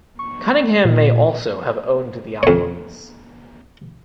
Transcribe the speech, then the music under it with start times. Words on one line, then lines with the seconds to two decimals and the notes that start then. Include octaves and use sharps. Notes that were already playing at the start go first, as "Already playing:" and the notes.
Cunningham may also have owned the albums.
0.19 C#6
0.85 A#2
2.43 F2 C#5